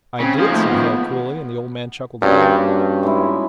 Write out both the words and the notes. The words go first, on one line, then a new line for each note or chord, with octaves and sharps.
"I did," said Hale coolly, and the old man chuckled again.
C#3 C4
D#2 F3 G#4
A3
B3
G2 A#3 C#4 F#4
G2
G#3 D#4 E4